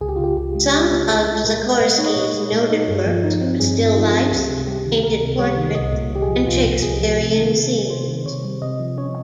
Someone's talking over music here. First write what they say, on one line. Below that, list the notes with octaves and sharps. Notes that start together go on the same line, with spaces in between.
Some of Czachorski's noted works were: still lifes, painted portraits, and Shakespearean scenes.
C#2 G#4
G4
F4
C#3 G4
C#2 G4
G#3
C#2 G4
C#3
C#2 G#4
G#3
A#2 A#4
G#3
A#2 D#5
D#4 C#5
D#5
A#2 C#5
G#3
A#2
D#4
G2
F3
D#4
C4
G2 G#4
F3
D#4 F4
C4
G#4
C#2 G4
C3
G3 G4
D#3
C#2 A#4
C3
G3 C#5
D#3
C2 D#5
A#2
C2
G4
G#4
F3
C2 F4
A#2
C2 G#4
F3
C3
D#3
C3
G3
C3 C5
D#3
C3 C#5
G3
C3 D#5
F3
C#4 C#5